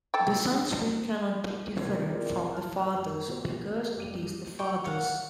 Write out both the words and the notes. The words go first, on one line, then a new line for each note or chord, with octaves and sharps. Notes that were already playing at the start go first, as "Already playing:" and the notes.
The Son's will cannot be different from the Father's because it is the Father's.
A4 G5
D#1 C3 C4 A#4 C5 G#6
C4 E4 F4 G#4 A#4 D5
A5 F6 F#6
F#1
B3 F#4 G4 C5
F#1 G3 D#7
G5 C#6
C#5 F5 F#5